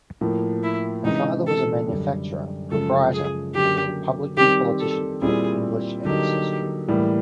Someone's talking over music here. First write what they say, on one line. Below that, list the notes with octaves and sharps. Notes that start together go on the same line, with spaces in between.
Her father was a manufacturer, proprietor, and a Republican politician of English ancestry.
A2 F3 A#3
E4
C3 E3 G#3 C#4 D#4
A4
F#2 D3 G3
F#2 C#3 F3 G#3 A4
G#4
D3 F#3 A#3 C#4 G4
D#3 G3 C4 G4
A4
A#2 G3 C4 E4 G#4
D3 F#3 A#3 D#4 G4
A2 E3 G3 A#3